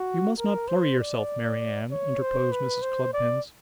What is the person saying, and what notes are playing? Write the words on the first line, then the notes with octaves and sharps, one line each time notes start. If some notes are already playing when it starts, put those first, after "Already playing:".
'You must not flurry yourself, Mary Ann,' interposed Mrs. Cluppins.
Already playing: F#4
A#4
C5
D5
C#5
C5
B4
C5
D5